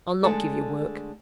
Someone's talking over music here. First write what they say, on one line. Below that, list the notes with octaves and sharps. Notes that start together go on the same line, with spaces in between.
I'll not give you work.
D3 G#3 A3 A4 A5